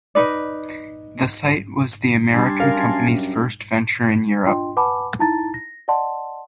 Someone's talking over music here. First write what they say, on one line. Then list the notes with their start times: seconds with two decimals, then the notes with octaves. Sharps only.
The site was the American company's first venture in Europe.
0.15 D#4 B4 D5
2.34 G3 D4 G#5 A5 C6
2.60 F#2 A#4 F5
2.77 F#2
4.47 D4 F4 D#5 G5 C6
4.77 B4 F#5 G#5 A5 B5 D6
5.19 D#4 E4 A5 A#5 A6
5.54 A#6
5.88 D5 D#5 F#5 A5 C6